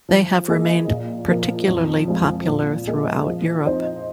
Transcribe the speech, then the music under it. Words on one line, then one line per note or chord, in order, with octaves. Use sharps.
They have remained particularly popular throughout Europe.
F3
A#3 G#4 D#5
A#2
F3 A#3 F4
F2
F3 G#3 F4
A#2
A#3 G#4 D#5
F3
C4 D#4 C5 D#5